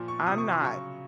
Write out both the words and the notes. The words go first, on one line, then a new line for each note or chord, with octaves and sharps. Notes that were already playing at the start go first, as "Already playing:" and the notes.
I'm not
Already playing: A#2 F3
C#6
C3 F3 D#6
C#6
C6
C#3 F#3 C#6